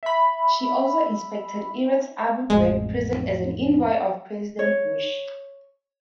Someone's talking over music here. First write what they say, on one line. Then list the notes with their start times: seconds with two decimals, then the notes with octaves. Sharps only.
She also inspected Iraq's Abu Ghraib prison as an envoy of President Bush.
0.03 E5 B5
2.50 A1 F2 G#3
4.59 C#5